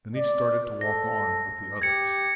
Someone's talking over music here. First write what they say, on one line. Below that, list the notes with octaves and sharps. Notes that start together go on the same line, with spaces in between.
Then he started to walk on with the others.
D5
A4 A#6
G4 G#6 C#7